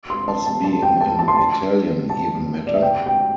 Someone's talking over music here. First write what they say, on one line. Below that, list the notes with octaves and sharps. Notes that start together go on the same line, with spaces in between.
Does being an Italian even matter?
C6
A5
A5
A5
G5
A5
A5
C6
A5
A5
D5
E5
G5
G5